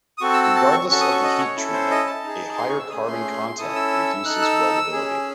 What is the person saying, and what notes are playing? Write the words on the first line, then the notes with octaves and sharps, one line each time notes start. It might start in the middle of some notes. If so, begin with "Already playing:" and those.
Regardless of the heat treatment, a higher carbon content reduces weldability.
D#6
C4 F#4 A4 C#6
E6
E6
A5
C#6
C#4 F#4 A4 C#6
D#6
C#6
D#5
C#5
C#4 E4 A4
C5
D#5
A5
D#4 G#4
C6
C#6
E6
A3 C#4 G#4 D#6
C6
C#4 E4 A4 D#6
E6
D#4 A4 F#6
E6
C#4 G#4